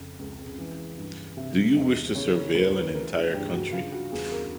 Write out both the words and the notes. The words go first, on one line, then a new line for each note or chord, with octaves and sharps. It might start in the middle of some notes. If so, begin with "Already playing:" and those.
Do you wish to surveil an entire country?
Already playing: F2 C#3
C#2
E3
G2
C3 E5
E2 D#5
C#3 C#5
C#5
D2 B4
B4
A#4
E3 A#4
G#4
G2 G4
F#4
C#3 F4
F#4
E2 G#4
A#4